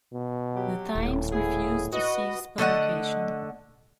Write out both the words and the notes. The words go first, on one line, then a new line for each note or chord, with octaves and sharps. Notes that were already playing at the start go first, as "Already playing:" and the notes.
The "Times" refused to cease publication.
B2
F#3 G4
D#1 A2
B3 E4 G#4
F#4 B4 D#5
D3 A3 D#5 F#5